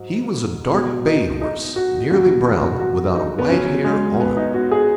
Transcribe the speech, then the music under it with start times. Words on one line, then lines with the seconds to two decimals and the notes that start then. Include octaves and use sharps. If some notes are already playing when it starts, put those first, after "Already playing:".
He was a dark bay horse, nearly brown, without a white hair on him.
Already playing: G#2 F#3
0.71 B1 B2 F#3
1.07 D#4
1.41 D#4
1.76 F#4
2.10 D#2 C#3 F#3 F#4
2.28 F#4
2.46 F#4
2.62 F#4
2.79 F#4
3.15 D#4
3.38 B3
3.49 C#2 C#3 F#3 C#4
3.84 G#3
4.20 B3
4.37 D#4
4.54 F#4
4.71 G#4